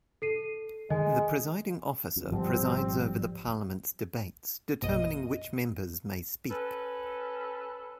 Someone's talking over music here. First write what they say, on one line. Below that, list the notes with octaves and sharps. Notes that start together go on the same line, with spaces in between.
The Presiding Officer presides over the Parliament's debates, determining which members may speak.
A4 C7 D#7
D#3 G#3 D#5 G#5
F2
G#1 F3 G3 C4
A#1 F#2 B2 D#5 D#7
C#4 A4 B4